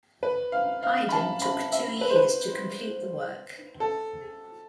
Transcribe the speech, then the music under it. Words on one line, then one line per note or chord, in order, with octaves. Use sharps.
Haydn took two years to complete the work.
B4
F5
F5
B5
A5
B5
E5
B4
C5
B4
A4